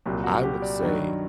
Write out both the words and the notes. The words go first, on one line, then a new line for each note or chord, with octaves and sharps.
I would say
C2 A#2 F#3 G4
F#4
G4
D5
G2 D#3 F#3